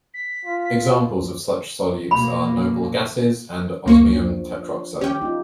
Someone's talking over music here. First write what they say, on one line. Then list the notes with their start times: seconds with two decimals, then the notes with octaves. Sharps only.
Examples of such solutes are noble gases and osmium tetroxide.
0.14 B6
0.45 F4
2.11 B2 A#3 B5
3.86 D2 A#3 C#6
4.06 F3 D4
5.01 C#4 G4 G5
5.22 D#4 F4